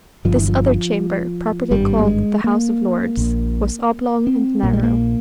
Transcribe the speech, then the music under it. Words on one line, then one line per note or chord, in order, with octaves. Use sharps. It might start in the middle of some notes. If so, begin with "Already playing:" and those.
This other chamber, properly called the House of Lords, was oblong and narrow.
G1 G2 F3
E3
F3
G#1 G2 G3
A#3
G#3
A#3
A#1 A#2
C4
A#1 A#2 A#3
G#3
A#3